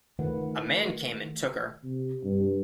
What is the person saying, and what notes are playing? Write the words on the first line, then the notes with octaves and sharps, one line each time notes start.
A man came and took her.
D#3 A3 F4 B4 F#5
C3
G2